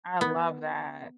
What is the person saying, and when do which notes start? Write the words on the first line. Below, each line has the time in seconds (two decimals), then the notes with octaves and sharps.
I love that.
0.21 B3